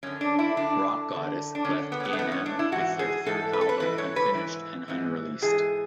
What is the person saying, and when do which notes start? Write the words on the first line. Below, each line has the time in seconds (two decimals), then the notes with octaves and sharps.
Rock Goddess left A and M with their third album unfinished and unreleased.
0.03 F#2 D3 C#4
0.21 D4
0.39 E4
0.56 F#2 D3 D4
1.11 F#2 D3
1.55 D4
1.65 F#2 D3 C#4
1.92 B3
2.00 C#4
2.05 B3
2.13 A3
2.18 G#2 E3 B3
2.32 C#4
2.46 D4
2.59 E4
2.72 G#2 E3 F#4
2.99 G#4
3.26 G#2 E3 A4
3.53 B4
3.61 A4
3.69 B4
3.80 G#2 E3 B4
3.98 C#5
4.16 B4
4.34 G#2 E3
4.88 G#2 E3
5.42 G#2 E3 G#4